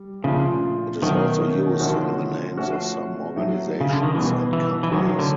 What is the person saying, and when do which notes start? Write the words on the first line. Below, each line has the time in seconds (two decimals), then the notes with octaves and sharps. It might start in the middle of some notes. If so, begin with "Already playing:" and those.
It is also used in the names of some organisations and companies.
Already playing: G3
0.24 A#2 C#3 F3 A3 D4 F4
1.02 B2 D#3 F#3 A3 C#4 F#4
1.80 D3 F3 A3 C#4 F#4
2.57 F3 A3 C#4 F#4
3.36 A2 F#3 A3
3.81 C#3
3.92 D3
4.03 D#3
4.15 B2 E3 G3 B3
4.53 E3
4.83 E3
4.92 D#3 F#3 A3 C#4
5.19 D3